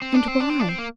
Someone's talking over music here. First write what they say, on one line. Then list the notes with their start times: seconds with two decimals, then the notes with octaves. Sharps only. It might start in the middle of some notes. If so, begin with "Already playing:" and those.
And why?
0.02 C4
0.14 D4
0.28 C4
0.40 D4
0.50 C4
0.59 D4
0.69 C4
0.78 A#3